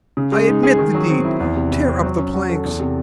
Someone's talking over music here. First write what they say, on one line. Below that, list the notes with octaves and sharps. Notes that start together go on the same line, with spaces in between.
I admit the deed!--tear up the planks!
C#3
G#3
D#4
G#4
D#3
F#3
C4
E4
E2
C3
E3
C4
F#3
C#4
F#4
A4
E2
C3